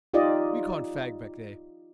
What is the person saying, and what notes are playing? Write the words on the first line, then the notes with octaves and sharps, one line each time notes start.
We can't fag back there.'
D#4 F4 G4 D5 D#5